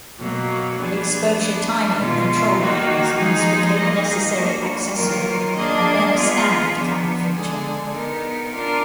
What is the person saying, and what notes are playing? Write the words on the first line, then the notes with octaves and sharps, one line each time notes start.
Exposure timing control mechanisms became a necessary accessory and then a standard camera feature.
B2 F#3 A#3
F3 B3 D4 G#4
B3 D4 G#4
B2 G#3 B3 F4
D#3 A#3 D#4 F#4
F3 G#3 D#4 G#4
A#3 D#4 G#4 D#5
A#3 D4 F#4
D#3 F#3 A#3 F4 A#4
A#3 D4 G#4 D#5
B3 F4 G#4
F3 B3 D4
D3 G#3 D4 G#4
B3 D#4 A#4
D4 F4 A#4